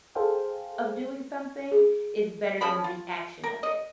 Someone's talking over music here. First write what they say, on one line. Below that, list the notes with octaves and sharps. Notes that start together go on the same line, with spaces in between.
of doing something is better than the action of it.
G#4 A4 C5 F5 G5
G#4
C#3 F3 B5
F4
A#4
D#5